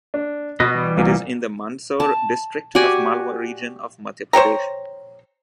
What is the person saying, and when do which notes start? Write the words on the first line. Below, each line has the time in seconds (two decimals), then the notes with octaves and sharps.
It is in the Mandsaur district of Malwa region of Madhya Pradesh.
0.14 D4
0.60 B2 B4 D#5
0.74 E3 G3
0.97 C2 A#2
2.00 A5
2.75 F#4 G4 D5 G#5
4.33 C5 C#5 G5 A#5